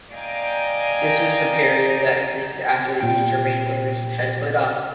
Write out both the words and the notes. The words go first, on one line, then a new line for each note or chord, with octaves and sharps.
This was the period that existed after the East Germanic languages had split off.
D5 D#5 F5 G5 G#5 A#5
A#2 G5